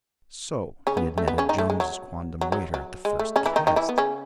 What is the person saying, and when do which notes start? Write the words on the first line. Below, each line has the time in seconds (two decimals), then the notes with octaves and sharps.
So! he had netted Jones' quondam waiter at the first cast!
0.87 C#3 C#4
0.97 B3
1.18 A3
1.28 B3
1.38 C#3 C#4
1.49 D#3 D#4
1.58 A3
1.70 G#3
1.80 F#3
2.41 F#3
2.52 F#3
2.74 F#3
3.05 G#3
3.19 A3
3.36 C#3 C#4
3.46 E3 E4
3.56 D#3 D#4
3.67 D#3 D#4
3.76 E3 E4
3.89 B3
3.98 C#3 C#4